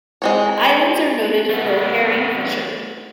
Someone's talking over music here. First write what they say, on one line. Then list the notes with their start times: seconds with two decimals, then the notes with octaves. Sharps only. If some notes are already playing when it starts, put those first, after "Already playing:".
The islands are noted for their herring fishery.
0.22 G#3 C4 C#5
1.49 A3 B3